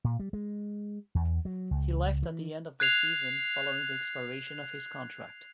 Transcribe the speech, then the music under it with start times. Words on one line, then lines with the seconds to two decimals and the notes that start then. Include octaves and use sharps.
He left at the end of the season following the expiration of his contract.
0.04 A#2
0.20 G3
0.33 G#3
1.15 E2
1.45 F#3
1.71 C#2
2.22 E3
2.80 F#6 G#6 C7 F7